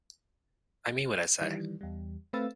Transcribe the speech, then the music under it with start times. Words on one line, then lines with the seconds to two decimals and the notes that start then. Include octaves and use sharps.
I mean what I say.
1.41 D#3 E3 G3
1.81 E2 G3
2.33 A3 C4 B4 F5 E6 A6